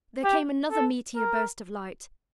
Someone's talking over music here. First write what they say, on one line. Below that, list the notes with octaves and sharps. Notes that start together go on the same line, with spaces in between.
There came another meteor burst of light.
G4
A4
A#4